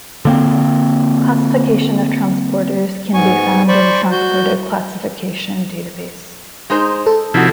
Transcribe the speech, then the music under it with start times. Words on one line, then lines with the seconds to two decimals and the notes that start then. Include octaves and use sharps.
Classification of transporters can be found in Transporter Classification Database.
0.25 D3 A#3 C4
3.14 G#2 B3 G#5 C#6
3.68 C5 D5 B5 C#6
4.11 F#4 G6
6.70 G#3 D#4 C5
7.07 A4
7.34 C3 F3 D#4 E4 F#4